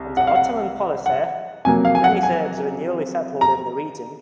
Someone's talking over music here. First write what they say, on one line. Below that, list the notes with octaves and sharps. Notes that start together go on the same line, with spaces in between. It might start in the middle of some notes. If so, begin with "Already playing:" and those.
Under Ottoman policy, many Serbs were newly settled in the region.
Already playing: C2
F#5
F5
F#5
F#5
F2 C3 F#3 A#3 G#5
F5
G#5
F#5
G#5
A#5